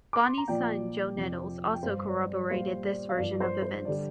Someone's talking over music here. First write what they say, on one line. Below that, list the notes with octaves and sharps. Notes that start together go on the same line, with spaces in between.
Bonnie's son, Joe Nettles, also corroborated this version of events.
D6
C6
A#5
A#2 F3 D5 G5
F2 C3 F3
G5
G2 G3 C5 F5
D5
D5
A#2 G3 C5 F5
D5
F5
G2 F3 D5
C5
C5
D3 G3 D5